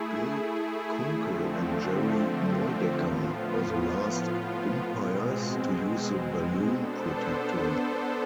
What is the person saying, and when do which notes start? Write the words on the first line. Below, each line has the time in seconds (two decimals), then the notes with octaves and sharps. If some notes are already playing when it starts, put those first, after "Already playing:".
Bill Kunkel and Jerry Neudecker were the last umpires to use the "balloon" protector.
Already playing: A3 E4 G#4
1.09 D3 F3 A3 C4
2.95 A2 F3 B3 F4
4.83 B2 G#3 C4
6.68 B3 D4 A4 C5